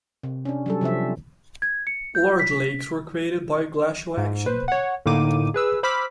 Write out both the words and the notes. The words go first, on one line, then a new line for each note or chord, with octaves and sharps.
Large lakes were created by glacial action.
C3
C#4 D4
F#3 G3 A4
C3 F3 C4 E5
G#6
C#7
G6
B6
G#2
B4 C5
C#5 F#5
A2 D3 A#3 D#4 D6 D#7
G#4 B4 E6
C5 B5 D6 E6 F6 B6